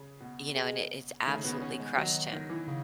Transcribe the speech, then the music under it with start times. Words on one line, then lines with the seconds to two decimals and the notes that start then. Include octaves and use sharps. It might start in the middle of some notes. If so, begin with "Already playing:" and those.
You know, and it it's absolutely crushed him
Already playing: C#3
0.20 B2
0.56 G#3
1.26 D#3 A3
1.35 C#3
1.44 B2 B3
1.52 C#3
1.61 C#4
1.79 G#3
1.97 D#3 F#3
2.32 D#3
2.50 E3
2.68 C#3